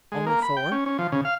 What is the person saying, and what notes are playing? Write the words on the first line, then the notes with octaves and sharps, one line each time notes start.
Only four?
G#3
A#3
B5
G5
C#4
C#4
F3
C#3
F5